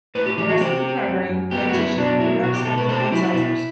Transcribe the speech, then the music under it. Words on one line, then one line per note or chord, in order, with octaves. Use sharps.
The rest of the primary dentition erupts after the incisors.
A2 B4
G4
E3 G4
F#4
C4 G4
C4
F#2
F#2
B3 G4
F#4
F#2 E4
B2 D4
F#3 E4
B2 F#4
G4
B2 A4
B4
C4 A4
G4
F#3 E4
E4
B2 E4